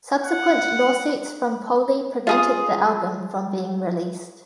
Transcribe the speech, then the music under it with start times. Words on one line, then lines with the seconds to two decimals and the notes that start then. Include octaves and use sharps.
Subsequent lawsuits from Poley prevented the album from being released.
0.24 F#5
2.27 F4 G#4 D#6